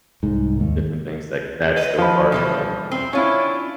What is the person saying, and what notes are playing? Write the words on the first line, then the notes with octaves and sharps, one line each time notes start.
different things like that, so far is what I found
C2 G#2
D#2
B4 D#5
F3 B5
B2 E3 G3
C4
C#4 D4 E4 F4